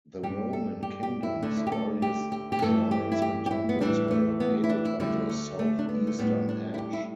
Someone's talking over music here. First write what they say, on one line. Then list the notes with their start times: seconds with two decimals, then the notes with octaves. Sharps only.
The Roman Kingdom's earliest shrines and temples were located on the southeastern edge.
0.23 G2 G3 G4
0.53 A4
0.83 G4
1.03 G4
1.23 E4
1.42 D2 D3 A3 D4
1.57 E4
1.67 G4
1.72 A4
2.02 G4
2.32 G4
2.52 G4
2.62 G2 E3 A3 A4
2.91 G4
3.12 E4
3.22 G4
3.46 G4
3.51 E4
3.69 B3
3.81 A2 E3 G3 D4
4.11 A3
4.40 B3
4.64 E4
4.69 D4
4.85 E4
5.00 D2 D3 G3 E4
5.29 A3
5.59 A3
5.79 D4
5.89 B3
6.07 A3
6.19 A2 G3 B3
6.49 D4
6.74 E4
6.78 G4
6.93 E4